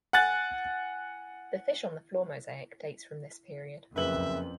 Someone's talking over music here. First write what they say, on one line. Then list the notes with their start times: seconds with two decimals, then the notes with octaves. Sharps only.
The fish on the floor mosaic dates from this period.
0.13 F#5 G#5 F#6 A6
3.96 F#1 F2 B4 E5 F#7